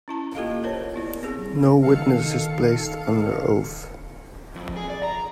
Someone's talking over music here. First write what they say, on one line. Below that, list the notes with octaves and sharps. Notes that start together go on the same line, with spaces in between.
No witness is placed under oath.
C#4 E4 A5 A#5
A#3 F4 G4 A4 D#5 F5
A#4 C5 C#5 A5
B3 E4 D5
C4 G#4
D#3 A4 F5 C#7
F2
G#4
D5
A#5